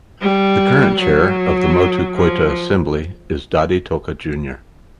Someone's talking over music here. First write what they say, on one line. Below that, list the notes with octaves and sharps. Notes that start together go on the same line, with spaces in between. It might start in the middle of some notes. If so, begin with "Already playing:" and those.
The current Chair of the Motu Koita Assembly is Dadi Toka Jr.
G3
F#3
F3